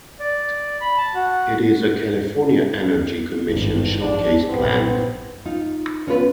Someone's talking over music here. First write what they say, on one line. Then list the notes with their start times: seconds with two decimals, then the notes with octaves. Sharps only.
It is a California Energy Commission Showcase Plant.
0.20 D5
0.81 B5
0.98 A5
1.14 F#4
3.48 G#1 G2
4.02 F2 D4
4.49 A#1 G2 B3 C4
5.45 D#4 F4
6.07 B3 C#4 D4 F4 A4 B4